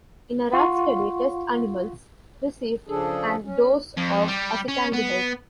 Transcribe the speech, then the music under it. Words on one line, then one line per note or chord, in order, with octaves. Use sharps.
In a rat study, test animals received an dose of acetaldehyde.
F4 F5 F#5 C6 C#6
C#3 F3 D4 G#4 A4
C#4
F2
G3
C#4
B3